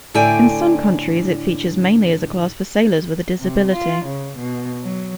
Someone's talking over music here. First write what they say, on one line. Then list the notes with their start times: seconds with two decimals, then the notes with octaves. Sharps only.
In some countries it features mainly as a class for sailors with a disability.
0.14 A2 D3 E4 D5 G5 G#5
3.40 C3
3.73 F4
4.06 C#3
4.38 B2
4.83 F#3